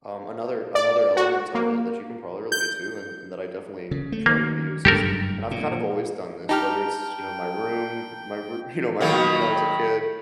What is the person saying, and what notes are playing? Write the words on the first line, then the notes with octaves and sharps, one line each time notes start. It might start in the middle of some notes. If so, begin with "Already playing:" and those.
um another another element of it that you can probably relate to and and that I definitely try to use is and I've kind of always done this, whether it's, you know, my room, k my roo you know, my room when I was a kid,
D5
F#4
A#3
G6
C#3
A3
D#3 A#3
F#1 G2 G#3 G4 A4 A#4
A#2
D#4 G4 G5 A5 A#5 F6
D#3 F#3 A#3 B5